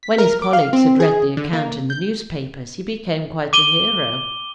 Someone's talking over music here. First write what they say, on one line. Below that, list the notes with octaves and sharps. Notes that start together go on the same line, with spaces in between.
When his colleagues had read the account in the newspapers, he became quite a hero.
B6
A#4
D6
F5
C4
G#4
D3
A#3
G6
D6 D#7 G7